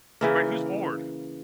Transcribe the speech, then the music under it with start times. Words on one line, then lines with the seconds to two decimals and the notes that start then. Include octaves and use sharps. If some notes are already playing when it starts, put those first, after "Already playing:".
Wait, who's Ward?
0.21 C#3 E3 A#3